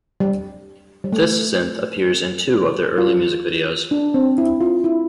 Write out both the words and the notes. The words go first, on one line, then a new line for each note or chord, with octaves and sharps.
This synth appears in two of their early music videos.
G3
G3
A3
F4
D4
C4
E4
F4
E4